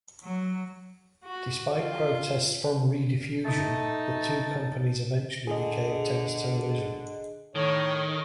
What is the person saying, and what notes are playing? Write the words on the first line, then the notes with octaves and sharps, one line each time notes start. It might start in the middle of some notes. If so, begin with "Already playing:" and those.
Despite protests from Rediffusion, the two companies eventually became Thames Television.
F#3
F#4
F4
A3 D#4 A5
D3 G#4 D#5
A2 D#3 C#5